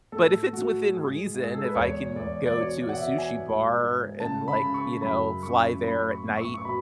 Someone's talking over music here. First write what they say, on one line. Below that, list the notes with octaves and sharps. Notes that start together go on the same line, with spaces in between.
but if it's within reason, if I can go to a sushi bar and, like, you know, fly there at night
A2 A4
A2 F#4
G#2 G#4
G#2
G#4
A4
B4
E2 C#5
E2 D5
D5
B2 C#5
D5
F#5
B2 E5
G#5
G#2
G#2
C#3 A5
B5
C#3
C#6
F#2 B5
F#2 C#6
A2 B5
C#6
A2
C#6
C#6
B2 B5